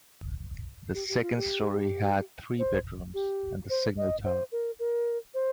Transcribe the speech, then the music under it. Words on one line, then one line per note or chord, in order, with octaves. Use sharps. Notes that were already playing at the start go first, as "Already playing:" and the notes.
The second story had three bedrooms and the signal tower.
G4
G4
F4
G4
C5
G4
C5
D#5
C5
A#4
A#4
C5